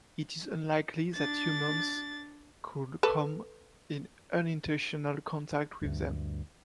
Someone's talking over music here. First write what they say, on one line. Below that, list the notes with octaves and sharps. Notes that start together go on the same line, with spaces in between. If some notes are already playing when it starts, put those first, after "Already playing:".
It is unlikely that humans could come in unintentional contact with them.
D4 A6
A4 B4
D2 G2